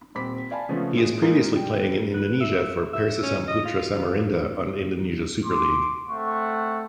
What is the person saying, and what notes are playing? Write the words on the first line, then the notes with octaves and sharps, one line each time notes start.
He is previously playing in Indonesia for Persisam Putra Samarinda on Indonesia Super League.
D#1 C4 B5 D6 B6
D5 F5 G#5 A5 B5
C#3 F3 A3 B3 C#4
A1 G#4 D7
G#3 A#3 D#4 A#4
G3 G5
B4
E5
E5
C#4
D#5
F4
F4
C6 D6
A3 C4 F#5 C#6